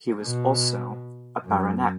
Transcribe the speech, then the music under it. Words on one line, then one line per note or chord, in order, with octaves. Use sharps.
He was also a baronet.
B2
F#2